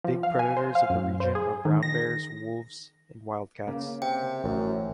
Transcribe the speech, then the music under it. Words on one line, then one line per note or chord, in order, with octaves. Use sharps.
Big predators of the region are brown bears, wolves and wildcats.
F3
F5
G#5
C5
F5
F#2
C5
G#4
D#3
A#6
C#3 A#3
C3 G5
A1 F#2